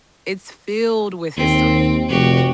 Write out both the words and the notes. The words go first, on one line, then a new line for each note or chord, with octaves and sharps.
it's filled with history.
D#2 C4
F1 F#4 G4